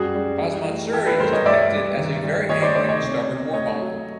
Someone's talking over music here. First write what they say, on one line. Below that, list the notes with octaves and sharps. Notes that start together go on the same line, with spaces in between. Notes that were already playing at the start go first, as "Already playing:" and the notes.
Kazmatsuri is depicted as a very angry and stubborn warmonger.
Already playing: F#2 G3 F#4 G#4
G3
E3
A3
E3 G4 A4
A4 B4
G2 A#4 C5
C#5 D#5
G3 D5 E5
G2
D#3
G3
D#3 C#5 D#5
C5 D5
A3 C5 D5
C#5 D#5
C3
C3
A3 C#5 D#5
F#3